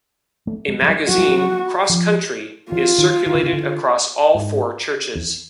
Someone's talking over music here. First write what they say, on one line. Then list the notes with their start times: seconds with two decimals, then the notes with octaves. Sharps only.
A magazine, "Cross Country", is circulated across all four churches.
0.47 A3
0.68 G#3
0.82 F#3
0.89 G3
1.09 F#3 F#4
1.18 G3
1.28 F#3
1.90 F3
2.71 E3 F4
2.98 D#3
3.26 D#3
3.35 D3
3.43 C#3
3.53 D3
4.35 G#2
5.15 E2